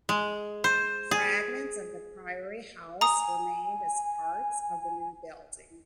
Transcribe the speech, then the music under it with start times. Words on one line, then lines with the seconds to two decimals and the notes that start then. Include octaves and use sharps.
Fragments of the priory house remained as parts of the new building.
0.09 G#3
0.64 C5
1.11 G#4
3.01 G#5 A#5 D#6